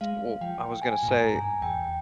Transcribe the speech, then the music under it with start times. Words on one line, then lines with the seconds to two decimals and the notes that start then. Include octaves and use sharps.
Well, I was gonna say
0.01 G#3 F5
0.41 F3 G5
0.82 G#5
1.03 A#2
1.08 G#2 A#5
1.35 G2 G#5
1.62 E2 G5